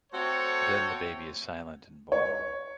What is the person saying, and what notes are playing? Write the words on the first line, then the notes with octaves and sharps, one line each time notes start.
Then the baby is silent and born.
A3 C4 F#4 A4 C5 C#5
C#5